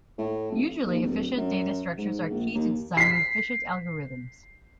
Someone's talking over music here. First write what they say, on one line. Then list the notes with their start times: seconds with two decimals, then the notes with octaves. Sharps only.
Usually, efficient data structures are key to designing efficient algorithms.
0.18 A2
0.52 F1
0.86 D#2
1.03 D1
1.37 F#2
1.97 G#2
2.31 A#1
2.54 D#2
2.97 B6 C7